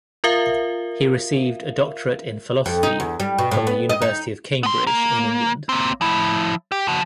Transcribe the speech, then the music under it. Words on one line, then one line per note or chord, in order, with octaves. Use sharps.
He received a doctorate in philosophy from the University of Cambridge in England.
F4 A#4 E5 F5
F2
D#4
E2
G3
B2
A2
B3
D#5
D#4
B3 C6
A#3
A#3 C4
F3 E4
G4
F3 F#4